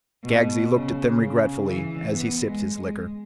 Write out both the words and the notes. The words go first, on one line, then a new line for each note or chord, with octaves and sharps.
Skaggsy looked at them regretfully as he sipped his liquor.
B2
C#3
C#3
E3
B3
G#3
G#3